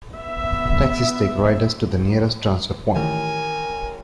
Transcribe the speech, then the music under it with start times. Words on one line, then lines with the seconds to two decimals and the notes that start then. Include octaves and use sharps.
Taxis take riders to the nearest transfer point.
0.14 B3 E5
2.96 A1 D#3 A#4 G#5